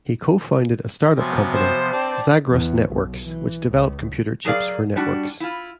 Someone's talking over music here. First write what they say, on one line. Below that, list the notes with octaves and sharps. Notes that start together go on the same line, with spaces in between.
He co-founded a start-up company, Zagros Networks, which developed computer chips for networks.
C3 F3 F#3 B3 G#5
C5
C4 D5 G5 A5
E2
B1
E3
C#2
F#3 G#4 A#4 D5 F5
G3 D4 F#4
E4 F4